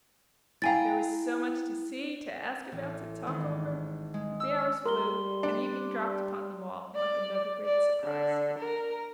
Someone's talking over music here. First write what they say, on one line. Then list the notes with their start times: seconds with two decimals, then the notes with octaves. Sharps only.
There was so much to see, to ask about, to talk over, that the hours flew, and evening dropped upon them all like another great surprise.
0.62 E4 F5 G5 G#5 A#5 A6
2.72 A1
3.27 G#1
4.14 G#3
4.40 E6
4.86 G3 A#4 C6 G7
5.43 D4
6.95 D5
7.66 D5
8.04 D3
8.59 A#4